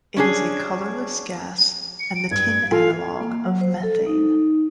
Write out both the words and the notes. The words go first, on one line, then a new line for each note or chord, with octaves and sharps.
It is a colourless gas and the tin analogue of methane.
C#4 D4 G#4
C#7
D7
G2 G#6
F4 A4 F5 G#5
A#3
F#3
C5
A4
D#4